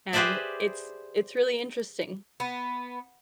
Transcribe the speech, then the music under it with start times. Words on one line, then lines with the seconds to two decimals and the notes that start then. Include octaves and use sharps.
and it's it's really interesting.
0.13 G4 G#4 B4 C5 D5 E5
2.40 B3